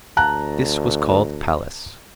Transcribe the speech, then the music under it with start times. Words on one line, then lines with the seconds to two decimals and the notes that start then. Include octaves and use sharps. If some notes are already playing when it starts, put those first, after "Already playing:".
This was called Pallas.
0.17 D2 A5 A#5 F#6